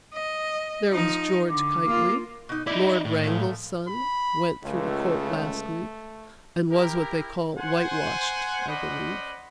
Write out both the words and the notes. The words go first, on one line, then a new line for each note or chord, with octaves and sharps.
There was George Kitely, Lord Ragland's son, went through the Court last week, and was what they call whitewashed, I believe.
D#5
F3 D#4
D3 D6
A#3 F4
B2 D#4
D#4 E4 D5
A2
A#2 F3 A3
B5
C#2 A3
E4 G4 A#4
C5 F#5 G#5
C#4 C5 D5 D#5 F#5 B5